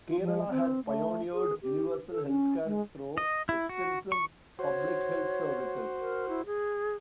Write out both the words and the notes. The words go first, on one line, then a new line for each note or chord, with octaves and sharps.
Kerala had pioneered Universal health care through extensive public health services.
F4
F3
C4
A3
G#4
G4
A4
C#4
G#3
D#5
E4
F#4
C#6
F#4 C5 C#5
A#4
E4
G#4